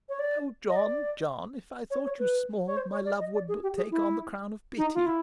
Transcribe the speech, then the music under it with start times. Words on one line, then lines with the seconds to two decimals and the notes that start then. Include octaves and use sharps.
Oh John, John, if I thought you small, my love would but take on the crown of pity.
0.09 C#5
0.19 D5
0.69 D#5
0.76 D5
1.91 C#5
2.05 C#5
2.19 B4
2.66 C#5
2.77 C5
2.91 C#5
3.05 D5
3.20 D#5
3.34 D5
3.49 G#4
3.63 G4
3.77 G#4
3.91 E4
4.78 D#4
4.94 F4
5.06 E4